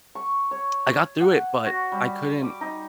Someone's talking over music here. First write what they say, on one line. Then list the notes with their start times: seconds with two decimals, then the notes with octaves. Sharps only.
I got through it, but I couldn't
0.15 C#6
0.51 C#5
1.21 F#5
1.66 F#4
1.92 G3
2.43 D6
2.61 D#4